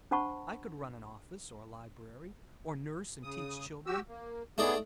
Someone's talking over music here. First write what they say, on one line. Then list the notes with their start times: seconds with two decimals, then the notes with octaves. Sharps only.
I could run an office or a library, or nurse and teach children.
0.11 D4 C5 F#5 A5 B5 C#6
3.23 C#3 D#6
3.86 F#4 G4 E6
4.08 A#3
4.58 A3 B3 D#4 G#4 D5